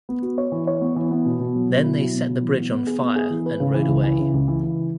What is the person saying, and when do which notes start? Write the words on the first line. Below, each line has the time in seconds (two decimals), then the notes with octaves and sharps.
Then they set the bridge on fire and rode away.
0.09 B3
0.22 F#4
0.38 C#5
0.52 E3
0.67 C#5
0.81 B3
0.96 E3
1.11 B3
1.25 B2
1.39 B2
1.55 F#3
1.70 B2
1.84 E4
1.99 F#3
2.13 B2
2.28 F#3
2.42 E3
2.58 B3
2.72 B3
2.87 G#4
3.02 B3
3.16 G#4
3.30 E3
3.46 B4
3.60 C#3
3.74 E3
3.89 C#2
4.04 E3
4.19 C#3
4.33 C#2
4.48 E3
4.63 E3